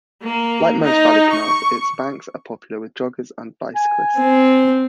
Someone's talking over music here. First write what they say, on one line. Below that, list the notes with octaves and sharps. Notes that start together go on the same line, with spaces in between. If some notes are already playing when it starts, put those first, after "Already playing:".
Like most Valley canals, its banks are popular with joggers and bicyclists.
A#3
D#4
C#6
G#5
C4